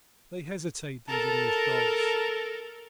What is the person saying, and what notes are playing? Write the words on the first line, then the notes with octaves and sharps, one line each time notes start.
They hesitate, these English dogs!
A4 A#4 A5 A#5